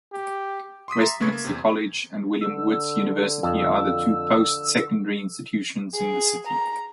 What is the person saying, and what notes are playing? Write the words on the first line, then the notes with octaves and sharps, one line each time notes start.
Westminster College and William Woods University are the two post-secondary institutions in the city.
G4
C6 D6 D#6 B6
E5 A#5 C6 A6
C#3 G#3 A3 B4 C#6 G#6
A#3
E2 C3
D3 E6
F2 E6
G#4
A#5